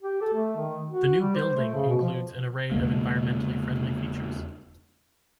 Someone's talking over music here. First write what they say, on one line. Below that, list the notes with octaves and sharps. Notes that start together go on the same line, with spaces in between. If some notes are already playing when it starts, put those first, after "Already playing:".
The new building includes an array of environmentally friendly features.
G4
A4
A3
D#3
F#4
G3
C5
A3
C#3
B2
F3
E2 C#3 G#3 A#3